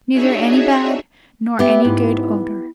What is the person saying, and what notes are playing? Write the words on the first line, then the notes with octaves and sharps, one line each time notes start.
Neither any bad, nor any good odor.
D4 D#4 F#4 G#4 C#5 E5
B3 G4 E5
G#2 E4